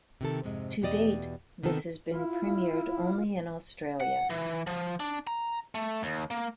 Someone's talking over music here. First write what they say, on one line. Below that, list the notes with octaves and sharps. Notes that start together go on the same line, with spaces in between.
To date, this has been premiered only in Australia.
C3 D#3 A4
F2 G#2 C3 G#3
E2 B2 G4 D5 D#5
C3 D#3 B3 C4 A4
E4 F4
F#5
E3
F3
D4
A#5
A3
D#2
A#3